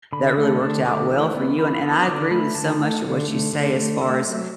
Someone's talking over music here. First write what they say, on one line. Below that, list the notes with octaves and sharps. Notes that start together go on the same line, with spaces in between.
that really worked out well for you, and and I agree with so much of what you say as far as,
D3 B5
A3
D3 A5
A3 D6
E3
B3
E3 B5
B3
D3 D6
A3 B5
D3 A5
A3
D3
A3
D3
A3
A3 E5
F#3